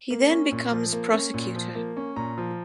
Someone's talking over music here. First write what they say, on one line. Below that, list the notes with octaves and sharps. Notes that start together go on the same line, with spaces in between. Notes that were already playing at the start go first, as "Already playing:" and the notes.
He then becomes prosecutor.
A#3
C#4
A#2
F3
A#3
C#4
A#2
F3
A#3
C#4
A#2 A#5
F3